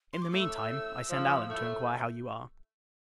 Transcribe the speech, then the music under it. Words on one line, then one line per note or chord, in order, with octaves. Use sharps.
In the mean time, I send Allen to inquire how you are.
C6
D6
A2 A3 E6
F3
A2 A3